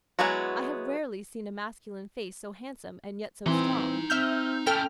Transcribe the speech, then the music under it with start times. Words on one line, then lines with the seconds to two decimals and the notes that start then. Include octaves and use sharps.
I have rarely seen a masculine face so handsome and yet so strong.
0.19 F#3 G#3 B3 E4 F#4
3.46 E3 C4 D#4 C6
4.10 C4 E5 F6 G6
4.66 C#4 E4 A4 G5 F6